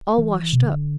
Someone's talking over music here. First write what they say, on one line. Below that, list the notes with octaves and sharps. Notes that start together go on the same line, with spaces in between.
All washed-up!
E3
B2
D3